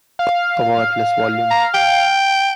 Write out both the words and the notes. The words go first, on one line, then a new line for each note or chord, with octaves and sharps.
A worthless volume!
F5
A#5
G5